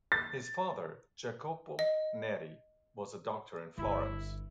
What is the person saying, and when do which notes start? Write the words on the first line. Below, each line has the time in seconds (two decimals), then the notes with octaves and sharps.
His father, Jacopo Neri, was a doctor in Florence.
0.12 A6
1.79 D#5
3.78 G1 E4